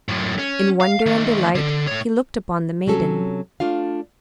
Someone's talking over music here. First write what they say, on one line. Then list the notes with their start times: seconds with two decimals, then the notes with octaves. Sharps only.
In wonder and delight he looked upon the maiden.
0.08 F#2 A2
0.39 C#4
0.81 F5
1.06 D#3 A3
1.55 D3
1.87 A2 C#5
2.87 C3 F#3 C#4 A4
3.60 A3 D4 F4 F5